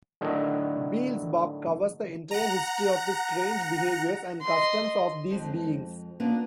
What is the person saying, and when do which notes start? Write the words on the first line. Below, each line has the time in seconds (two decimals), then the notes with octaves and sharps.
Beelzebub covers the entire history of the strange behaviors and customs of these beings.
0.21 A2 D3 D#3 F#3
2.31 F#5 A#5
4.42 D#5 C6
5.30 F2 F3 G#3
6.20 A#3 B3 C#4 D4 F4